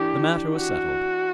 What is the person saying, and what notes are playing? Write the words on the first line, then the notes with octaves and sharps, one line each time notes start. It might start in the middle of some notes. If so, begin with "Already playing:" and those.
The matter was settled.
Already playing: E3 D4 G4
F#4